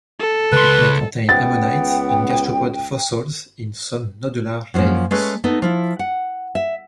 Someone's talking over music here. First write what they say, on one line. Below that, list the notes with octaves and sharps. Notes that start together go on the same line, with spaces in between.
It may contain ammonite and gastropod fossils in some nodular layers.
A4
C#2 B4 C6
C#2 B3 G5 A6
F#2 F3 G3 A#3 C#4
G#3 A3 C#4 B4
A3 B3 D#4
F3 E4 F4
F#5
E5